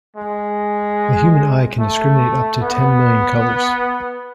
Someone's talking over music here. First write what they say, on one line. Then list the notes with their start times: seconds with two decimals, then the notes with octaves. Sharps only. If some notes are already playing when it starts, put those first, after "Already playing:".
The human eye can discriminate up to ten million colors.
0.16 G#3
1.79 A3
2.62 B3